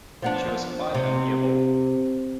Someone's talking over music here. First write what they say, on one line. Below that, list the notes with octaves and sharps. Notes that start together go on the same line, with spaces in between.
She was quite amiable.
F3 B3 D4
C3